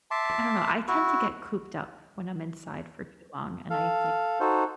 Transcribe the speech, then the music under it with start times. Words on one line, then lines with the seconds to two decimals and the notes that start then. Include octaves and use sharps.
I don't know, I tend to get cooped up when I'm inside for too long, and I, like,
0.11 E5 A5 C6 D6
0.88 E4 F#4
3.70 A4 F5
4.40 D#4 F#4 A4 C5